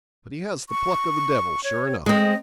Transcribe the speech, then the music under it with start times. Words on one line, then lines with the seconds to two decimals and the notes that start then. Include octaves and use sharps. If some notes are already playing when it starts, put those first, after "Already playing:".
But he has the pluck of the devil, sure enough.'
0.69 C#6
1.64 C#5
2.06 G#3 C4 D#5